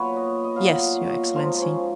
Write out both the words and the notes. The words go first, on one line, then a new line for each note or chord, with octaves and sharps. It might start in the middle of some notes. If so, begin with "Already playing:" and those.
"Yes, your excellency."
Already playing: A#2 F#3 B3 B4 C#5
D#5
D#5
A#2 F#3 B3 F5
F5
D#5
G#2 F3 A#3 F4
C#4